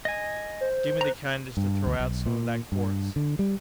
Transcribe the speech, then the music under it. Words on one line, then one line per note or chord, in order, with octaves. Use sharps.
"Do me the kindness to throw out some of that quartz!"
D#5 G#5
C5
A#5 F#6
G2
D2
B1
A#2
G2
D3
G3